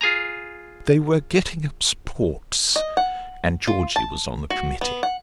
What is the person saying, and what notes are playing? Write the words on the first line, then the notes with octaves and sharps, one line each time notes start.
They were getting up sports, and Georgie was on the committee.
F4 G#4 G#5 A#5
D#5
F#5
F4
A5
F#4
B3
F#5